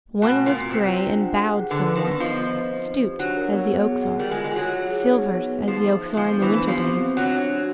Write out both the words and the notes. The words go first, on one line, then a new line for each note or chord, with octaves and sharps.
One was gray and bowed somewhat, stooped as the oaks are, silvered as the oaks are in the winter days.
B2 A3
C4
A#2
C4
C3 C5
F4
D4
F#5
G#4
F#5
D3 B4
B4
D#3
B3
F3 D#5
B4
D#5
C4
D#4
G4
F#3 D4
A#4
B3
G#4
G#4
F#5
G3 A#4
G#3
F4
G#3
F#3 F4
G#4
G#4
D#4
B3
B4
G#4
F3 D#4
E5
C5
F3 B3
D4
E3
B3
F3 G4
C4
C4
F#3 D4
D4
F#4